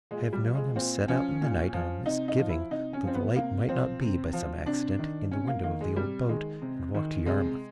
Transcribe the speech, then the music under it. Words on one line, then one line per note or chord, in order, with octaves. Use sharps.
I have known him set out in the night, on a misgiving that the light might not be, by some accident, in the window of the old boat, and walk to Yarmouth.
A#2 G#3
G3
F3
G#3
A#2 C4
F3 C#4
A#2
F3
C3 D#4
D#4
F3
E4
C3 D#4
C#4
F3 C4
B3
C3 A#3
F3 C4
C3
F3
C3 D4
D#3
C3 C#4
A#3
D#3 A#3
G#3
C3 G3
D#3 G#3
C3
D#3
C3 G#3